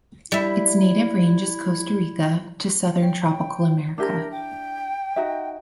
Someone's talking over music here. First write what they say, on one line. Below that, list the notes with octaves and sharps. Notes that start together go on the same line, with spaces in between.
Its native range is Costa Rica to Southern Tropical America.
G3 E4 E5
C#5 G5
G5
D4 E4 G4 A#4
G5
D#4 F#4 E5